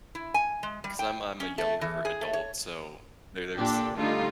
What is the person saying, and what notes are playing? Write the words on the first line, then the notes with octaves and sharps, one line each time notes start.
'cause I'm I'm a younger adult, so there there's
E4
G#5
G#3
G3
G5
C#4
A3
E3
G#4
A3
C#5
A#2 D4 G4 A4
D3 G3 A3 D#4 F4